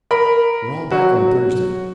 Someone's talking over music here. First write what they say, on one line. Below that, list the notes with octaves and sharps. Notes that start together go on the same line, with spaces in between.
We're all back on Thursday.
A#4 B5
F#3 F#4